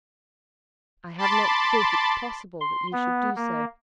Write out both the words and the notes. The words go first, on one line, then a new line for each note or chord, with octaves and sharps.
I have not thought it possible that you should do so.
A5 B5 C6 D6 A6
C6
B3
A#3